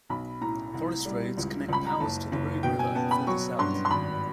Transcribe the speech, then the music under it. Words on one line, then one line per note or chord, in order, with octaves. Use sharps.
Forest roads connect Powers to the Rogue River, further south.
B1 B5
A2 A#5
C2
G3
C#2
C#2 B5
A#5
F#1 A5
F#1
B2 G5
G#5
B3 A5
B5
F#3 C#6
G2 C6
C6
G#1 B5